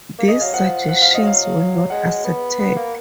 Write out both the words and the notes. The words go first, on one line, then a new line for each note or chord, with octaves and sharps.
These suggestions were not accepted.
A#3
G#3 D#5
F#3 F5
F3 F#5
F#5
F5
D#5
F#3 F5
G#3 F#5
B3
B3
A#3